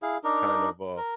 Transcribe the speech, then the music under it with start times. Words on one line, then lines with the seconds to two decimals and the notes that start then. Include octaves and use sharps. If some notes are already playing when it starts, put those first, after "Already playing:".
kind of, uh,
0.02 E4 G#4 F5
0.24 D4 D#4 A#4
0.97 A#4